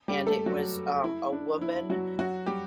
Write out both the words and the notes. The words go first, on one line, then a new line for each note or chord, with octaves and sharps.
and it was, um, a woman
G3 G4
A3 A4
F#3 F#4
E4
D4
E4
F#3 F#4
F#3 F#4
G3 G4